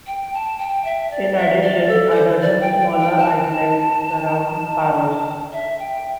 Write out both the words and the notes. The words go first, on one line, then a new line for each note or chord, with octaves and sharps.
In addition a dozen smaller islets surround Paros.
G5
A5
G5
E5
D5
E5
D5
A4
D5
C5
D5
G5
G5
G5
A5
E5
G5